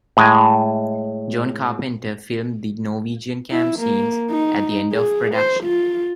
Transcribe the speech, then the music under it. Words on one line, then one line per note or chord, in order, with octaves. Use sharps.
John Carpenter filmed the Norwegian camp scenes at the end of production.
A2 G#3 G5 G#5
E4
A#3
D#4
G#4
C5
F4